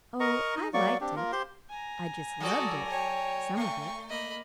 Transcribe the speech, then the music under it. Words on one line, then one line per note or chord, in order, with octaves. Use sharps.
"Oh, I liked it--I just loved it--some of it."
A#4 D#5 A#5 C#6
D#4 D#5
F#3 A#3 D5 C#6
C4 D4 G4
A#3 F4 A#4
G4 C5 C6
G#5 A#5
F#3 F#4 A4 D5 D#6
C#5 G5
A3 C#6
A#3 D#5 B5